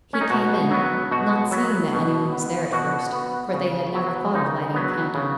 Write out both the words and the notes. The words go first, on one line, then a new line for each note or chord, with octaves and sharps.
He came in, not seeing that any one was there at first; for they had never thought of lighting a candle.
C#4
D#4
B2 F#4
F#3 B3
B2 F#4
F#3 B3
B2
B3
B2 F#4
B3
C#3
F#3 B3
C#3 D#4
F#3 B3
C#3